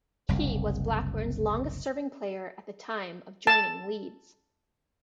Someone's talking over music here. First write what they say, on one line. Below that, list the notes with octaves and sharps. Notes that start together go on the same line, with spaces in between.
He was Blackburn's longest serving player at the time of joining Leeds.
F#1 C2
A5